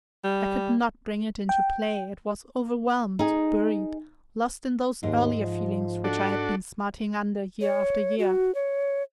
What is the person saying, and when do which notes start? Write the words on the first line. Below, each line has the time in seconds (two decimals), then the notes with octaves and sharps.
I could not bring it into play; it was overwhelmed, buried, lost in those earlier feelings which I had been smarting under year after year.
0.24 G3
1.49 G5
3.19 D#4 G#4
5.03 D#2 G#2 G#3
5.40 F3
6.04 D4 F#4 A4
7.61 C#5
8.19 F#4
8.55 C#5